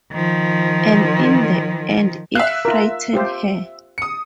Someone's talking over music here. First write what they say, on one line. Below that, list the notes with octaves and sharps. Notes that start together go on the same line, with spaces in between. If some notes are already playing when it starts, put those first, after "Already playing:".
And in the end it frightened her.
D#3 F3
E5 F5 F#6
F4 A#4
F4 G4 C5
D#6 C#7